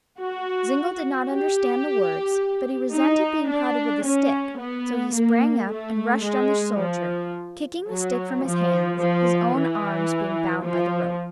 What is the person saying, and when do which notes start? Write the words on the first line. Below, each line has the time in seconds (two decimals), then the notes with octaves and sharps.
Zingle did not understand the words, but he resented being prodded with the stick, so he sprang up and rushed on the soldier, kicking the stick from his hands, his own arms being bound by the rope.
0.20 F#4
1.31 G4
2.95 D#4
3.50 D4
4.05 C#4
4.60 B3
5.15 A#3
5.70 A3
6.25 G#3
6.80 F3
7.90 F#3
8.45 F3
9.00 F3
9.55 E3
10.65 F3